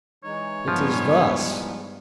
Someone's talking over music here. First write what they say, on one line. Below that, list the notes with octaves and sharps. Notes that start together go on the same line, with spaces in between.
"It is thus."
E3 G#3 D#4 C#5
G2 F3 B3